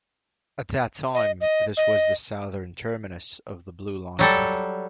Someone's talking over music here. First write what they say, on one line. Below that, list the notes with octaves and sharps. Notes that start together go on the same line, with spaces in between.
At that time, this was the southern terminus of the Blue Line.
D#5
D#5
D#5
F#3 G3 A4